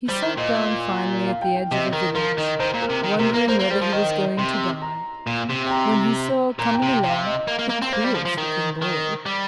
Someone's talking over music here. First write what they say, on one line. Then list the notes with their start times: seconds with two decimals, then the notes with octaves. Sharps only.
He sat down finally at the edge of a village, wondering whether he was going to die, when he saw coming along the queerest-looking boy.
0.08 G3 C5
0.23 D#3
0.38 A#2 D#5
1.27 F5
1.42 G5
1.56 G5
1.71 C3 D#5
1.93 D#3 A#4
2.15 F3 A#4
2.38 D#3 D#5
2.60 D#3 C5
2.74 A#2
2.82 A#4
2.90 C3
3.04 D#3
3.19 C3 A#4
3.33 A#3 A#4
3.49 A#3 C5
3.60 A#3
3.71 G3 C5
3.82 F3
3.93 D#3 D#5
4.37 C3 C6
4.82 A#5
5.27 A#2
5.49 C3
5.67 G5
5.71 A#5
6.59 A#2 A#5
6.74 G5
6.82 C3
6.89 G5
7.03 C3 F5
7.26 D#5
7.48 A#3
7.59 A#3
7.70 A#3
7.82 C4
7.92 A#3 C5
8.04 G3
8.15 F3
8.25 F3
8.37 D#3
8.81 D#3
9.26 G3